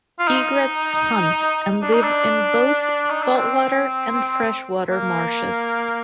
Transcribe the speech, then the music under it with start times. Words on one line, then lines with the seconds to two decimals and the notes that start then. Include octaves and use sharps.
Egrets hunt and live in both saltwater and freshwater marshes.
0.19 F4
0.27 D#4
1.82 D4
1.93 D#4
2.03 D4
3.10 D#4
3.22 D4
3.36 C4
4.91 A#3